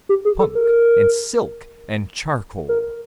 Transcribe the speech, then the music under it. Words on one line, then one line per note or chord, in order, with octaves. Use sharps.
Punk and silk and charcoal.
G4
G#4
A4
A#4
A#4